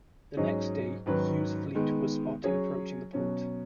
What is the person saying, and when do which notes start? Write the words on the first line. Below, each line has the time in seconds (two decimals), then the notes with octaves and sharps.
The next day, Hughes' fleet was spotted approaching the port.
0.37 G#2 F#3 C#4 G#4 D#5
1.06 G#2 D#3 F#3 C#4 B4
1.75 D#3 G#3 B3
2.44 F#3 C#4 G#4 C#5
3.13 B2 F#3 C#4